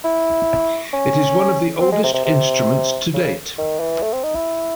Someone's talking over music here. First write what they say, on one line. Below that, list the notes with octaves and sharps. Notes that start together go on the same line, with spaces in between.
It is one of the oldest instruments to date.
E4
C#4
C4
G#3
C3
C3
C3
C#3
D#3
E3
A3
C4
D#4
E4